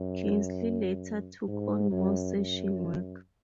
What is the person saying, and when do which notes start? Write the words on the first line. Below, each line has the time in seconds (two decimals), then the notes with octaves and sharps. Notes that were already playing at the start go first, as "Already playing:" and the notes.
Kinsley later took on more session work.
Already playing: F#2
1.47 G#2
1.91 F#2
2.36 F#2